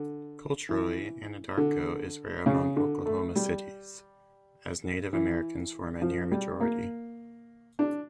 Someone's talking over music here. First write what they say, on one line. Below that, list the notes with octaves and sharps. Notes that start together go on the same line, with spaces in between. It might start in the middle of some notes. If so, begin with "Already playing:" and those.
Culturally, Anadarko is rare among Oklahoma cities as Native Americans form a near-majority.
Already playing: D3
E3
D3
C#3
D3
A3
G3
E3
F3
G3
A#3
D4